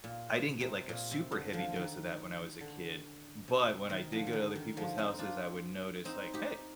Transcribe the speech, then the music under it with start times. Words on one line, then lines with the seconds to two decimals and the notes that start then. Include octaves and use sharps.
I didn't get, like, a super heavy dose of that when I was a kid, but when I did go to other people's houses, I would notice like, "Hey,
0.04 A#2
0.60 C3
0.89 A#2
1.11 C3
1.32 D3
1.53 D3 F3
1.76 D#3
2.61 D3
3.48 C3
3.69 C3
3.90 D#3
4.12 D3 F3
4.27 D#3
4.33 D3
4.55 D#3
4.77 D3 F3
4.98 C4 D#4
5.19 D4 F4
6.05 C4 D#4
6.34 D#4 G4